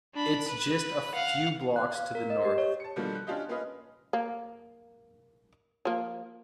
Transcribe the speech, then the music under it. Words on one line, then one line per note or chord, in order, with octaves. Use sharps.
It’s just a few blocks to the North.
D4 B5
B4
F5 F#5
F#6
F5
A#4
D#5
G4
C#5
A5 C#7
B2 D3 D#3 F3 G3 A#3
F#6
C#4 D4 F4 G4 D#5
A#3 C#4 F4 B4 D#5
A#3
F3 A#3